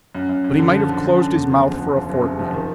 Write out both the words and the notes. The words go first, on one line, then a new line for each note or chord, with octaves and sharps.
But he might have closed his mouth for a fortnight.
F#2
F#2
F#2
D3
F3
D3
F#2
D3
E2
F3
F#1
F3
F#1
F#1
C3
F3
D#3